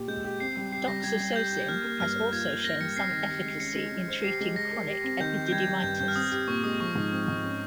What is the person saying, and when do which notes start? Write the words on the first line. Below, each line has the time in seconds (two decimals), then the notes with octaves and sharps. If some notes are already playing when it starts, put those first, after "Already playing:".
Doxazosin has also shown some efficacy in treating chronic epididymitis.
Already playing: A#2 G4
0.08 G#3 G6
0.24 G4
0.40 C4 C7
0.57 G3
0.72 G4 C7
0.88 G3 A#6
1.04 G3 G#6
1.20 G3
1.36 G4 G6
1.52 G4
1.68 A#3 F6
1.84 A#3
2.00 G2 F6
2.16 A#3
2.32 F4 G#6
2.48 F4
2.64 A#3 A#6
2.80 G3 C#7
2.96 C4 C7
3.12 D#3
3.28 G4
3.45 G#3
3.60 C#4 C#7
3.76 G#3
3.92 G#3
4.08 C5
4.14 C#7
4.24 G4 C7
4.41 G#3
4.56 G4 A#6
4.72 A#4
4.88 G4
5.04 C4
5.20 D#3 G6
5.36 G4
5.47 G6
5.52 G3 G#6
5.68 G3
5.84 G2 G6
6.00 G2 G6
6.08 F6
6.16 C4 D#6
6.32 G4
6.48 A#2 C#6
6.64 G#3 D#6
6.80 F3 C#6
6.96 G#2
7.12 C4
7.28 G#2
7.44 C#4